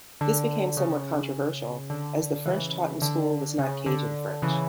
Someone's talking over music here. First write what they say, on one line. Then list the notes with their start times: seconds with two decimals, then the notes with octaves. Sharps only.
This became somewhat controversial as the French taught in school was not Cajun French.
0.21 D3
0.77 C#3
1.90 D3
2.46 C#3 E3
3.02 D3
3.59 C#3
3.86 D3
4.42 C#3 E3